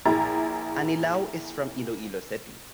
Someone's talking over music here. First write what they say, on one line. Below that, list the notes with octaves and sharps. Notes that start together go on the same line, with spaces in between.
Anilao is from Iloilo City.
A#1 E4 G#4 G5 A#5 A6